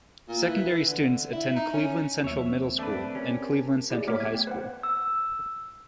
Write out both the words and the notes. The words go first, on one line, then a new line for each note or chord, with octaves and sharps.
Secondary students attend Cleveland Central Middle School and Cleveland Central High School.
A#2
E3
E3
D3
E4
D#4
C#4
D#2 F3 A#3 C4 C#5 E5
A3 D4 B4
C#4 G4 A#4
E4 G4 G#4 D5
A3 B3 C#5 D6 F6 B6
G#6
G5
B4 C5 F#5
E6